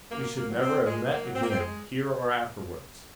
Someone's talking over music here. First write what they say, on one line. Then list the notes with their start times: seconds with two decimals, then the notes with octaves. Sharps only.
We should never have met again here or afterwards.
0.11 F#2 A#3
0.36 A#3
0.49 D#3 F#3
0.61 C4
0.86 A#2 G#3
1.11 A#3
1.23 F#3
1.35 C4
1.43 A#3
1.51 C4
1.60 G#3